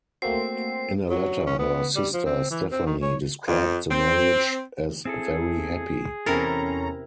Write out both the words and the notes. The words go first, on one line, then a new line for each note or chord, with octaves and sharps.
In a letter, her sister Stephanie described the marriage as very happy.
A3 A#3 C4 F#4 C7
F#3
C#4
B3
G3
F3
C4
E3
C4
D#3
C#5
F2
C4
C4 E4 G#4 A4
E2 C3 C4 C#4 E4 A4 A#4 A#5